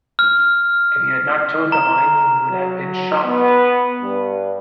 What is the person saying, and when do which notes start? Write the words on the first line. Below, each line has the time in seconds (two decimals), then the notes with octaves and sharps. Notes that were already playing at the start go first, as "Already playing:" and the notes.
If you had not toed the line you would have been shot.
0.19 F6
1.72 A#5
2.51 F#3
3.25 B3
4.02 G2